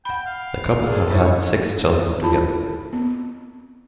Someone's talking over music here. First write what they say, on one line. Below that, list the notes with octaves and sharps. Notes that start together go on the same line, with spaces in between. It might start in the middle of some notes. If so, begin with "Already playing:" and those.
The couple have had six children together.
F#5 G5 B5
F5
G#4 A4
C#4 D#4 E4 C5 C#5
E4 F4 A5 B5
B3 C4